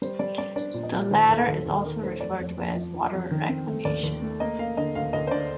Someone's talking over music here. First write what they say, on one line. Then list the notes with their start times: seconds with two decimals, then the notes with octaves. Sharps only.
The latter is also referred to as water reclamation.
0.02 G3 C5
0.19 G3 D5
0.38 G3 D5
0.56 D4 D5
0.74 A#2
0.83 D#5
0.92 A#2
1.11 D#3 C5
1.29 D#2 A4
1.48 D#2 A4
1.66 D#2 A4
1.84 D#3 A#4
2.03 A3 C5
2.20 F2 D5
2.40 F2
2.57 F2
2.75 F3
2.95 F3
3.13 F2
3.31 D#3
3.49 C4
3.67 A3
3.85 D#2 D5
4.03 D#2
4.22 A3
4.40 A#3 D#5
4.59 A#3 F5
4.77 D3 D#5
4.95 D2 F5
5.13 D2 D#5
5.27 C5
5.31 D3 D5